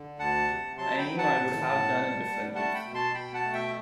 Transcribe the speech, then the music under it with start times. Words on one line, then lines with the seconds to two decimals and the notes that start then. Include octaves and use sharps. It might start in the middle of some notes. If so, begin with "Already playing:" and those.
I knew I would have done it differently.
Already playing: D3
0.19 D2 F#5 A5
0.49 C3
0.78 F#3 A5 C6
0.98 G5 B5
1.07 F#3
1.18 F#5 A5
1.37 A2
1.67 A2
1.96 G3
2.25 G3
2.55 A3 F#5 A5
2.74 G5 B5
2.85 B2
2.94 A5 C6
3.14 B2 G5 B5
3.33 F#5 A5
3.44 A3
3.53 E5 G5